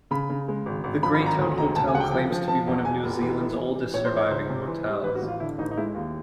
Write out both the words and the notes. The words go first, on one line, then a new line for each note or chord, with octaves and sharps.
The Greytown Hotel claims to be one of New Zealand's oldest surviving hotels.
C#3 B5
C#3
G#3
G#1
G#1
F3 B5
B5
G#1
A#5
D2
E1 A#5
D2 A5
G#5
C#3 F#5
G5
F3 G5
F3
F3 A5
E2
E2 G#5
F1
E3
E3
E3
E3
A#1 C#5
C5
E3 C#5
C#2 C5
C3
E3
G3
A1 B4
F#4
A1
F4
D3 E4
A1 D#4
D#4
G#3 E4
D#2 F4